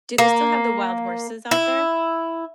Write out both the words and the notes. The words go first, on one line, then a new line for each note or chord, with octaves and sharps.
do they still have the wild horses out there?
A#3
E4